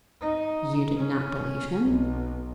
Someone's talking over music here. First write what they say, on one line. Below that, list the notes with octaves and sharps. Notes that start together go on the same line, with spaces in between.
"You did not believe him?"
D#4
C#4
B1